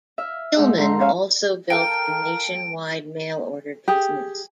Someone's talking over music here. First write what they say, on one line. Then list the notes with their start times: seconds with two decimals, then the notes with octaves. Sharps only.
Gilman also built a nationwide mail order business.
0.18 E5 F6
0.55 G#2 G#4 E6
0.77 F2 G#2 A#5 C6
0.99 C#4 C5 C#5 E5 F5 G#5
1.70 A4 A#4 F5 G5 D7
3.88 G4 G#4